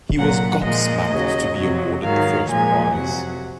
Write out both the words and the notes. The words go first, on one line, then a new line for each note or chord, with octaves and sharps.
He was gobsmacked to be awarded the first prize.
A#2 F#3 F#5
A#2 F3 G#3 D#5
D#2 C#3 F#3
F2 C3 F#3
G#2 D#3 F#3 F5
A#2 F3 G#3 G#5
F2 C3 F#3 F#5